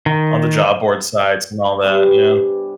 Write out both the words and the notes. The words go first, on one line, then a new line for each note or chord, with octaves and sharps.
On the job board sites and all that, yeah.
D#3
G2 C3 B3 G#5